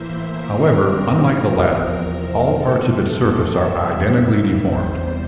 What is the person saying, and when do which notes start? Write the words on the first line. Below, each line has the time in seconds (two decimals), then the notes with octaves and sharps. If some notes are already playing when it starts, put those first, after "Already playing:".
However, unlike the latter, all parts of its surface are identically deformed.
Already playing: A2 E3 A#3 C5 E5
0.40 A#2 G3 C4 A#4
1.46 E2 C3 F3 C4
2.51 A#2 A3 C4 A4
3.05 A4
3.58 F2 C3 G3 A#3 E5
4.63 E2 C3 G3 C5